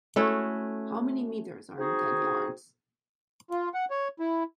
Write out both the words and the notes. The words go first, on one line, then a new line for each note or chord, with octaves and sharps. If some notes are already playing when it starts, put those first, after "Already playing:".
How many meters are in ten yards?
A3 C#4 E4 F#4
C4 D#4 F#4 G#4
F4
F#5
C#5
E4